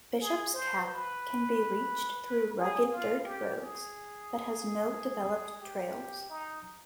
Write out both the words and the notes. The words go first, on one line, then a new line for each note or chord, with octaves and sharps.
Bishop's Cap can be reached through rugged dirt roads, but has no developed trails.
G#4
C5
B4
B4
G#4
F4
G4
G#4
G4
D#4